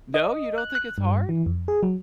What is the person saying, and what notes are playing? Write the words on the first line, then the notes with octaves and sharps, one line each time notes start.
No, you don't think it's hard?
D#5
F#6
F#6
G2
E3
F2
G#4
F#3